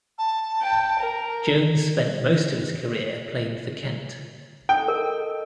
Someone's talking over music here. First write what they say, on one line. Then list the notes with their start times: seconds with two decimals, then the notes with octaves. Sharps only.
Jones spent most of his career playing for Kent.
0.18 A5
0.60 G5
0.98 A#4
4.69 D#4 A4 G5
4.88 A#4